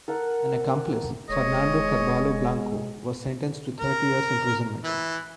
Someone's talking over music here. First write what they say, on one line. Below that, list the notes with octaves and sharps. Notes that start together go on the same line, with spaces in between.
An accomplice, Fernando Carballo Blanco, was sentenced to thirty years' imprisonment.
A4 A#4 F#5
E1 G#3 C#5 D#5
A#4
E3